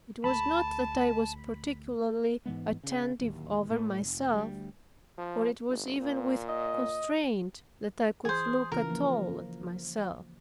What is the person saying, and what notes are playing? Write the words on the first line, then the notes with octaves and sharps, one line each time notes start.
It was not that I was particularly attentive over myself, for it was even with constraint that I could look at all at myself.
D2 A5 B5
G#2 E3 G#3 B3
C#3
D1 D#2
A2 A3
F1
D2 G3
F3
G1
A#2
D#5
E3 G#4 C5
C#3 E3 F4 A#4
F3 A#3